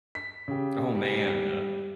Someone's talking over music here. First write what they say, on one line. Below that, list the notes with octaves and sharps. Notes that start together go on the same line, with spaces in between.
Oh, man, uh
B6
C#3 G4
G3